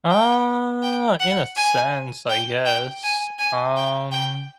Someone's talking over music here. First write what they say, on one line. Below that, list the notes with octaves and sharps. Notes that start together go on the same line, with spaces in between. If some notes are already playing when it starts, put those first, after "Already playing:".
Uh, in a sense, I guess. Um
G5
G5
F#5
G#5
G5
G5
G#5
G#5
G5
G5